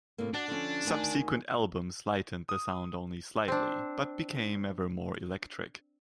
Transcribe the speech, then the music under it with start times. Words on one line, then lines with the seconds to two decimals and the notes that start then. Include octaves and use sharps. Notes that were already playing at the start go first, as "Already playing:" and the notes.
Subsequent albums lightened the sound only slightly but became ever more electric.
0.18 A2 C3 A#3
0.34 D4 F#4 F#5
0.48 D3 F3 C#4
0.85 D2 D#3 G#5
2.49 D#6
3.48 C4 D4